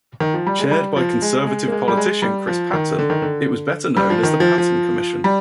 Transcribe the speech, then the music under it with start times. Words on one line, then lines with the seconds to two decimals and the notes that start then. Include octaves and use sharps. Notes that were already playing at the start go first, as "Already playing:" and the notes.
Chaired by Conservative politician Chris Patten, it was better known as the Patten Commission.
0.20 D#3
0.34 F3
0.47 G3
0.59 G#3
0.71 G3
0.96 F3
1.22 G#3
1.46 G#3
1.68 A#3
1.72 G#3
1.88 G3
1.97 G#3
2.22 G3
2.47 F3
2.73 D#3
2.99 D3
3.10 D#3
3.22 D3
3.97 G3
4.10 F3
4.23 D#3
4.40 F3
4.58 F3
5.24 G3